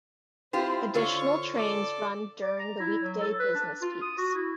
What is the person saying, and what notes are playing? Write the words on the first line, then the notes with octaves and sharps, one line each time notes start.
Additional trains run during the weekday business peaks.
C4 E4 F4 G4 C5
D3 F4 C5 C#5 C#6
A4 D5
D5
A#5
E4
F#3
A4
B4
D4
F4
D#6
F#4
E4